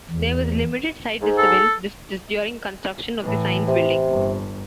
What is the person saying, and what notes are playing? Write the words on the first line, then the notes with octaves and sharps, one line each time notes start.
There was limited site disturbance during construction of the science building.
E2
G#2
A4
A2 E3
C3
G1